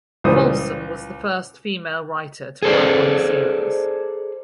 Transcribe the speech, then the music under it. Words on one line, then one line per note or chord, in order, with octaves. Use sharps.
Folsom was the first female writer to work on the series.
C#2 A#2 E3 G3 C5 D#6
G#4 A4 C5 D5